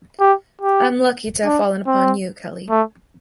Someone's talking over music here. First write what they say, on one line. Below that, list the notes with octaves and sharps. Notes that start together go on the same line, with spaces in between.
I'm lucky to have fallen upon you, Kelly.
G4
G4
D4
C4
A3